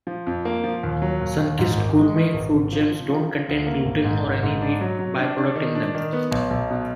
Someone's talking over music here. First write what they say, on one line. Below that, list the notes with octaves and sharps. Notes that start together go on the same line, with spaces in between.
Sunkist Gourmet Fruit Gems don't contain Gluten, or any wheat by-product in them.
F3
F2
A#3
F3
D#2
F#3
D#2
D#2
G#2
G#1
G#3
D#3
G#1
G#1
F3
F3
F3
F3
D2
A#3
G#1
G#2
G#1
G#2
D4
F#3
F#3
D4
D4
D#3
D4
D#3
B3
B1
B1
B2